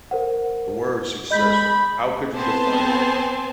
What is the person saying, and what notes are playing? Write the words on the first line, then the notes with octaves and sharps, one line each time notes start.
The word success; how could you define it right now?
A#4 C5 F#5
G#3 D#5 B5 G6 B6
B3 C4 C5 G#5 A5